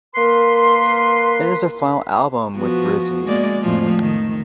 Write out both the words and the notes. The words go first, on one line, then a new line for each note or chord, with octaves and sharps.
It is their final album with Rizvi.
A#3 A#4 B4 C6
F3 B3 F#4
G#3 A#3 D5
F2 A2 F3
D#3